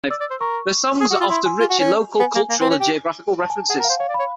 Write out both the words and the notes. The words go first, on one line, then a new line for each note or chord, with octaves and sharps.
Their songs are often rich in local, cultural, and geographical references.
D5 E6
D5
C5
A#4 C#6
G#4 D#6
F#4
F4 E6
E4 C6
G#5
F4
F#4
C#4
B3 G#5
A#3
A#3
C4
C#4
G4
A5
G#5
G#4 F#5
A#4
C5 F5
C#5 F5
D5
C#5 B5